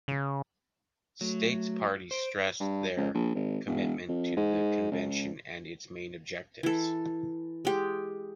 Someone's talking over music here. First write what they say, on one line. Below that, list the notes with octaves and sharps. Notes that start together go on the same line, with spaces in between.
States parties stressed their commitment to the Convention and its main objectives.
C#3
F#3 A3
C5 D7
G2
C#2
A#1
G#1
E1
F2
G#2
C#2
E3 A4
G#3 G4